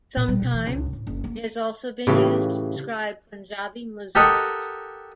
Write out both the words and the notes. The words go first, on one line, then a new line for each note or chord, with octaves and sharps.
Sometimes, it has also been used to describe Punjabi Muslims.
A#2
G3
B2
E3
C#2
A1
F#1
A#3
A2 C#3 E3 F4 G4
G4 A4 A#4 D#5 F#5